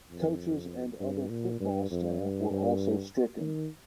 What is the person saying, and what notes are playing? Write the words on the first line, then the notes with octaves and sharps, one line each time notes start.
Coaches and other football staff were also stricken.
F2
G2
A#2
G2
F2
G2
G2
D#3